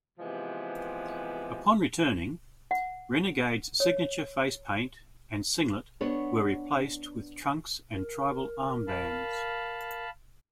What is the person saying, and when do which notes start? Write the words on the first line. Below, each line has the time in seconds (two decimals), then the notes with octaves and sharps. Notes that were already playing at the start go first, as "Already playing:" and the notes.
Upon returning, Renegade's signature facepaint and singlet were replaced with trunks and tribal armbands.
0.18 C3 E3 F3 G#3 B3 G4
2.71 F#5
3.80 C#5
6.01 B3 D4 C#5
7.93 A#4
8.88 F5 A5 B5